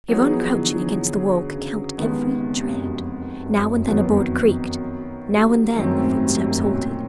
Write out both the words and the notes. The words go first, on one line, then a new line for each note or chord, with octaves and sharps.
Yvonne crouching against the wall could count every tread--now and then a board creaked--now and then the footsteps halted.
E3 F#3 B3 D#4 G#4
F3
E3
D3
F3
E3
D3
C#3
D#2 D#3 G#3 B3
C3
C#3
G2
F#2
F2
F#2
F#2
F#2
F2
F2 D#3 F#3 B3
F#2
F2
F#2
G2
F#2 D#3 F#3 A3 C4
G#2
A2
G#2
G2
F#2
F#2
B2
A#2